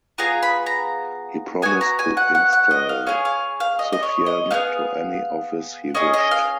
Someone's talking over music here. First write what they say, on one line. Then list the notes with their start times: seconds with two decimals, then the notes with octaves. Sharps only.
He promised to install Sufyan to any office he wished.
0.18 B3 F4 G#4 A#5
0.43 B5
0.66 A#5
1.62 B3 F#4 G#5
1.81 A#5
1.99 G#5
2.17 F#5
2.35 F#5
2.53 F#5
2.71 D#5
2.89 F5
3.07 C#4 G#4 F5
3.25 F5
3.60 F5
3.79 D#5
3.93 D#5
4.03 C#5
4.26 D#5
4.51 B3 D#4 G#4 F5
5.94 C#4 G#4 D#5
6.14 D#5
6.31 F5